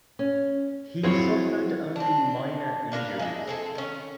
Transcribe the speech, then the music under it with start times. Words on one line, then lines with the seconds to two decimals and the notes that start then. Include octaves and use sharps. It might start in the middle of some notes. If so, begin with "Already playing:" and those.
He suffered only minor injuries.
0.19 C#4
1.03 F#3 C4 E4 F4 G#4 C#5
1.96 C4 D4
2.92 A#3 D4 A#4 B4
3.19 G#3 E5
3.47 C4 G#4 A4
3.75 D#3 C#4